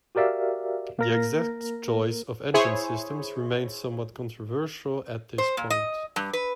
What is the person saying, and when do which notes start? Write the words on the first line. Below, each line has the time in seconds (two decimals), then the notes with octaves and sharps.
The exact choice of engine systems remains somewhat controversial at this point.
0.15 F#4 G4 A#4 D5 E5 F5
0.99 A#3 A#4 A#6
2.54 E4 G#4 C5 C#5
5.38 C5
5.57 A#2
5.70 D#5
6.16 G2
6.33 B4